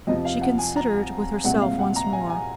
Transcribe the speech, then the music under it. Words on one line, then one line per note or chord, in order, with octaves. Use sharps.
She considered with herself once more.
F2 C3 F3 D#5
F5
F#5
G#5
A#5
C2 A#2 G#3 C4 F#5
F5
F#5
A#5
G#5
G#5